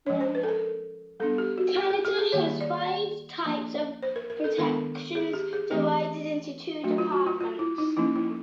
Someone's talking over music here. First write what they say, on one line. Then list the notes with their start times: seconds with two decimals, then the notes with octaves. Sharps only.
Canada has five types of protections divided into two departments.
0.06 F3 G#3 C#4 C#5
0.21 C5
0.35 B4
0.43 A4
0.49 A#4
1.20 G3 B3 D4 A4
1.38 G4
1.58 F#4
1.76 G4
1.90 G#4
2.05 G4
2.18 G#4
2.32 D#3 G3 A#3 C#5
2.61 D5
3.45 F3 A#3 D4
4.03 C5
4.16 A#4
4.30 A#4
4.44 A4
4.58 D#3 G#3 B3 D4 A#4
5.15 G#4
5.33 G4
5.53 G#4
5.71 E3 A3 C4 G4
6.83 F#3 A3 D4 F#4
6.98 F4
7.12 F#4
7.26 F4
7.41 F4
7.59 E4
7.78 D#4
7.97 F3 A#3 C#4 E4
8.16 E4